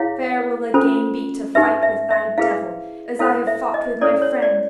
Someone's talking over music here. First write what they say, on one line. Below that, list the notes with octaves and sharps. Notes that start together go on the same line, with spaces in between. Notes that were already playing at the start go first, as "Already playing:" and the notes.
Fair will the game be to fight with thy devil as I have fought with my friend!
Already playing: E4 G#4 C#5 F5
C#4 F4 A4 C5
D#4 G4 B4 E5
E5
E5
E4 G#4 B4 F5
E4 A4 C5 F5
E5
D#5
C#4 E4 A4 C#5 D5
C#5
D5